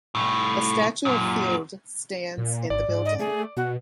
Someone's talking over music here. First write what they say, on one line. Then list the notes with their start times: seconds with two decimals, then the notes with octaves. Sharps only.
A statue of Field stands in the building.
0.15 C2 A2
1.05 F#2 A#2
2.38 A#2
2.70 G#1 D5
2.89 G#2
3.05 D#5
3.19 A3 G#4
3.57 B2 F#4